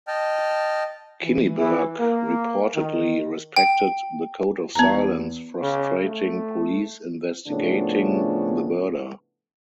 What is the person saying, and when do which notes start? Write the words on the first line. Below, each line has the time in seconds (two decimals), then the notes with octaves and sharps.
Kinniburgh reportedly respected the code of silence, frustrating police investigating the murder.
0.08 D#5 G5 A5 F6
1.23 E3
1.58 E3
1.98 A#3
2.75 D#3
3.56 G5
4.75 E2 B3 A#5
5.62 C#3
6.05 A3
7.48 A2 C#3 F3 A3 B3 D4